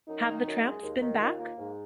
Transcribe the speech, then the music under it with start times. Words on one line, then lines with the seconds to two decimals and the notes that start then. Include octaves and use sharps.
Have the tramps been back?
0.08 F#2 D#4
0.27 D#3
0.46 F#2
0.64 G#3
0.82 D#2
1.02 D#3
1.20 D#2 F4
1.39 A#3
1.58 G#2